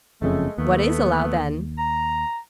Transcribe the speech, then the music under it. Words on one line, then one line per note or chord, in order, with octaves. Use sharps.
"What is allowed, then?"
F#1 F2 C#3 G#3 A3
D#2 A3 B3
A#5